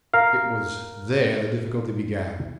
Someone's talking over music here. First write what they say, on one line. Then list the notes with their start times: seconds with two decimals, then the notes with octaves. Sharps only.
It was there the difficulty began.
0.13 A#4 F5